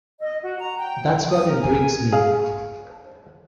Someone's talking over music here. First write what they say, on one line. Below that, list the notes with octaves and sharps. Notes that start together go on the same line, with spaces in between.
That's what intrigues me.
D#5
F#4
A#5
G5
D#6
A#4
G#5
G#4 F5